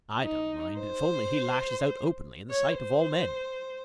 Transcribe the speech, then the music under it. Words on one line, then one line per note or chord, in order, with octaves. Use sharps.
"I don't mind if only he lashes out openly in the sight of all men."
D#4
C5
C#5
C5